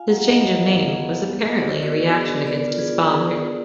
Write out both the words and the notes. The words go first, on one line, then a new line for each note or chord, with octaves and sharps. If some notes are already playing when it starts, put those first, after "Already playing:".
His change of name was apparently a reaction against his father.
Already playing: F4 F5 G#5
F#5 A#5
B3
D#5 F#5
B3
B4 D#5
B3 F#4 A#4
F4
G#4
B3
B3
B3 D#5
B3 D5
B4
F#4 A#4
B3
G#4 B4
D4
B3 A#4 D5
F4
G#4 B4
F4
B3 G#4 B4
B3